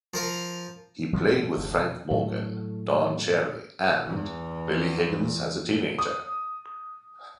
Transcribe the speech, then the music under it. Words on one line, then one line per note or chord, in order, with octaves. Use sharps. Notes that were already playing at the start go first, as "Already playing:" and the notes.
He played with Frank Morgan, Don Cherry, and Billy Higgins as a teenager.
F3 A#4 F5
E3 G3 C4
B2 F3
A3
F1 D2
D#2 B2
A2 F#3 A3
E2 E3
D#6